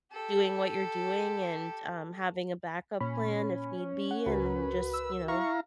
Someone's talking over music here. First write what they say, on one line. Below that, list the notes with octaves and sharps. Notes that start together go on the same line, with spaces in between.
doing what you're doing, and, um, having a backup plan if need be, and just, you know
G4 A4
A#2 C#4 B5
F#5
C#2 F#4 A#4 B4
E6
E4 F5 A#5 C#6